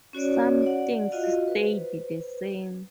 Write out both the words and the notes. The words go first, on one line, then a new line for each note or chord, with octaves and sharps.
Some things stayed the same.
C#4 F#4 C#5 D5
D5 F#5
F4 F#4 D#5 F5
B4 C5